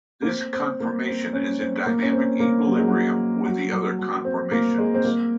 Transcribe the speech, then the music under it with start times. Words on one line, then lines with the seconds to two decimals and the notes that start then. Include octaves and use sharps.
This conformation is in dynamic equilibrium with the other conformations.
0.22 A#3
0.27 C4
0.53 C4
0.80 A#3
1.07 C4
1.33 C#4
1.60 C4
1.86 A#3
2.02 C#4
2.13 C4
2.40 A#3
2.66 F#3
2.76 G#3
2.88 F#3
3.46 F#3
3.72 F#3
3.99 F#3
4.25 C4
4.51 A#3
4.78 G#3
4.94 C4
5.05 A#3